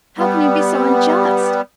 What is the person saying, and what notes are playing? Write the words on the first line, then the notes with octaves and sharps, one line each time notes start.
How can you be so unjust?
G3 B3